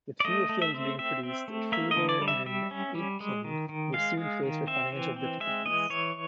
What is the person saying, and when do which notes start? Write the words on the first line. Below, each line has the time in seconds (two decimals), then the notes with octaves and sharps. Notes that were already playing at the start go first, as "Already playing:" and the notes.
With fewer films being produced, Freuler and Aitken were soon faced with financial difficulties.
0.20 D5
0.25 A3 D#5
0.49 A3
0.62 E5
0.74 C4
0.99 C4 E5
1.23 C4
1.48 A3
1.72 A#3 E5
1.91 D#5
1.97 D3
2.09 D5
2.22 G3
2.28 E5
2.46 G3 E5
2.71 C#4
2.95 G3
3.20 G#3
3.44 D#3
3.69 D#3
3.93 G#3 F5
4.17 G#3
4.43 D#3
4.67 C4 E5
4.92 E3
5.16 C4
5.40 G#3 E5
5.66 E3 D#5
5.90 E3 C#5